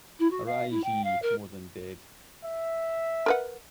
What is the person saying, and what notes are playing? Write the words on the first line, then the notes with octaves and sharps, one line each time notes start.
Arise ye more than dead!
E4
F#4
F5
E4
G5
F5
A#4
E5
A#4 B4 F#5